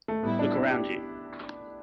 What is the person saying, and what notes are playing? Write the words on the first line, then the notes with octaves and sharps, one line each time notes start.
Look round you.
A3
A2 G3 B3 E4
D4
E4
G4